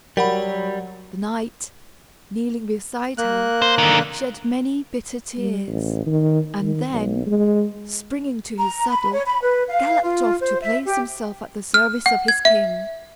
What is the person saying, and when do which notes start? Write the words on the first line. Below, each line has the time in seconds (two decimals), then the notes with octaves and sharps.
The knight, kneeling beside her, shed many bitter tears, and then, springing to his saddle, galloped off to place himself at the service of his king.
0.17 F#3 G3 A#4 F#5 B5
3.18 A#3 F#6
3.62 C5
3.78 D3 D#3
5.37 G3
5.67 A1
6.06 D#3
6.61 D#3
6.91 B1
7.26 G#3
8.59 A#5
8.90 B5
9.13 C#5
9.27 B5
9.42 B4
9.69 F5
10.03 F4
10.40 C5
10.61 E5
10.86 G4
11.74 F6
12.06 F#5
12.28 G#6
12.45 E5